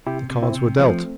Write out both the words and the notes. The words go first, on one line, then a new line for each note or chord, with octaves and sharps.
The cards were dealt.
C3 E4 G4
C3
C4 E4
C3
F3 A3 C4